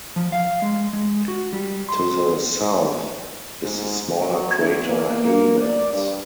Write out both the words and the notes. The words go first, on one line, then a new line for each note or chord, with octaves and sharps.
To the south is the smaller crater Heymans.
F3
F5
G#3
G#3
F#4
G3
C6
G#2
F#3
D2
A#3
A#3
D5
G2